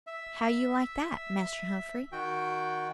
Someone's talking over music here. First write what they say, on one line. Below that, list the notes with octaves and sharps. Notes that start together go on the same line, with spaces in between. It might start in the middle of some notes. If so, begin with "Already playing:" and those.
How you like that, Master Humphrey?
E5
D#3 F#4 G5